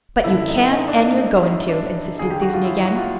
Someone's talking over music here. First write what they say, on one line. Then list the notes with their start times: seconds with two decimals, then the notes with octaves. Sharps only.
"But you can, an' you're goin' to," insisted Susan again.
0.24 F#2 D3 E4
0.48 D#4
0.72 D#4
0.88 D4
1.04 D#4
1.21 D#4
1.35 E4
1.45 D#4
1.68 D4
2.16 D#2 D3 G#4
2.30 G4
2.42 F#4
2.53 F4
2.64 E4
2.85 F#4
2.96 F4